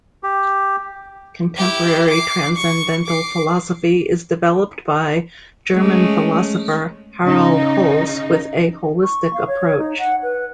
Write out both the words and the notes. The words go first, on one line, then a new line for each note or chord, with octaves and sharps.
Contemporary transcendental philosophy is developed by German philosopher Harald Holz with a holistic approach.
G4
E4 G4
D6 C7
C#6
D6 C7
G#3 A3 C#4
C#3 D#4
C#6
F5
C#5
D#4
F#5
B4